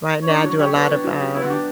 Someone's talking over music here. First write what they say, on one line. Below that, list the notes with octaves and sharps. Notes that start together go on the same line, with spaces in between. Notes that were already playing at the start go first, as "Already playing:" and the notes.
right now I do a lot of, um,
C#5
D4 D5
F#3 C#5
G4 C#5
B3 C#5
D4
F#3
G4
B3 E4
F#4
D4 G4